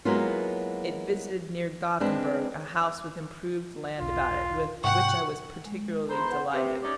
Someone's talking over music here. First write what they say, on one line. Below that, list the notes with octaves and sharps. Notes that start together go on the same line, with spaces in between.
It visited, near Gothenburg, a house with improved land about it, with which I was particularly delighted.
F#3 G#3 A#3 B3 E4 F4
G#3 C4 D4 B4
E1 B1 F4
G#2 C3 A#3 F#5 G5 C#6
G#3
E2 C5 A#5 B5
B4 F#5
C3 G4 B4 E5
C#4 D#4 D5